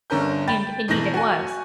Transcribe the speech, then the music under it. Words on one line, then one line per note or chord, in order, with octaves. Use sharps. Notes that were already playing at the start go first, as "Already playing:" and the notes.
And indeed it was.
G1 D3 C#4 A#4 G6
G5 B5 A6
G#1 B2 E3 G6 A#6 F#7
F#4 G#5